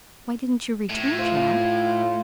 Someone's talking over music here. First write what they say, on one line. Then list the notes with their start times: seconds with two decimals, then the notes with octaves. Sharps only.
Why didn't you return, Jack?
0.90 A2
1.19 F4